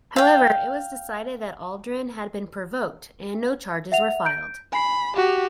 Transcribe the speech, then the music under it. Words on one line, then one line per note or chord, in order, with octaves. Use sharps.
However, it was decided that Aldrin had been provoked and no charges were filed.
F5 G5
E5 F#5 F7
G6 D7
G#5 B5 C7
F#4 G4